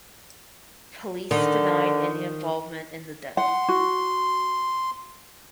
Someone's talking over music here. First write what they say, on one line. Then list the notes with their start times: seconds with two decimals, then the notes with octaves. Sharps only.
Police denied any involvement in the death.
1.31 D3 D#3
3.37 F#5 C6
3.68 F#4